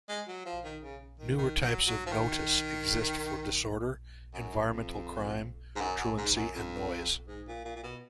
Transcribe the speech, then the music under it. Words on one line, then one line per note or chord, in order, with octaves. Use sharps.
Newer types of notice exist for disorder, environmental crime, truancy and noise.
G#3
F#3
F3
D#3
C#3
D#3
D#3
F#3
F#3
F3
D#3
F#2
F2
G#2
F#2
F#2
G#2
F#2
F2
G#2
A#2
A#2
A#2
B2